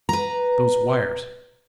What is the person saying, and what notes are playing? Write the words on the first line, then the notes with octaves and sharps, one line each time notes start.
Those wires!
B4 A#5